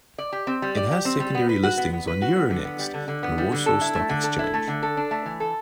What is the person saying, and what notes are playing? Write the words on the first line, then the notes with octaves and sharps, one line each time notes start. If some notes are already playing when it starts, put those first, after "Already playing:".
It has secondary listings on Euronext and Warsaw Stock Exchange.
D5
G4
C4
G3
D5
G4
C4
G3
B3
B4
F#4
B3
B3
B4
F#4
B3
D3
B3
G3
D3
D3
B3
G3
D3
A4
E4
A3
D3
A4
E4
A3
D3
A4
D4
A3
E3
A4